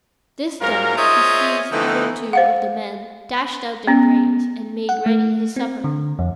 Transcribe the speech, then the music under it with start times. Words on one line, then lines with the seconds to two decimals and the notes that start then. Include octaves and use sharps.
This done, he seized other two of the men, dashed out their brains, and made ready his supper.
0.62 G#2 F#3 F4 A#4
0.98 F4 G#4 C5 C#5 D#5 E5
1.72 D3 E3 F3 A3 C4 D#4
2.33 C5 F5 F#5
3.87 B3 C#4
4.89 F#5
5.06 A3
5.56 C4
5.84 D3
6.19 F2